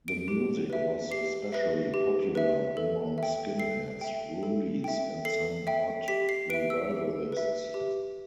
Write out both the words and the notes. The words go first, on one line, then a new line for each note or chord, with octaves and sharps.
The music was especially popular among skinheads, rudies and some mod revivalists.
D7
G4
B4 E5
G4 C7
B4 E5
G4
B4 E5
A4
E5 G5
A4 C7
E5 G5
A4
E5 G5
A4 C7
E5 G5
G4 B6
C7
B4 E5 D7
E6
G4
B4 E5
G4